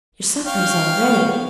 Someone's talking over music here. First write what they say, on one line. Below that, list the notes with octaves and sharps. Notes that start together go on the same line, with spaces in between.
Your supper is all ready.
C#5 F5 G5